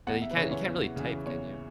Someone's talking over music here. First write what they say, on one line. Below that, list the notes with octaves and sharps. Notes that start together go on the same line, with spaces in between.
And then you can't you can't really type, can you?
E2 F#5
E5
B4
C#3 E3 C#5
C#5
E2
C#3 E3
E2 C#5